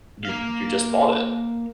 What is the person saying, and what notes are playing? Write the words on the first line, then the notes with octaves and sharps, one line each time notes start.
you you just bought it.
A#3 F5